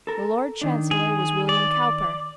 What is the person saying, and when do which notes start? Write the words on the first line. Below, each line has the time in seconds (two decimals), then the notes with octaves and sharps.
The Lord Chancellor was William Cowper.
0.07 A4 A#4
0.61 D#3 D4
0.91 G#4
1.49 D5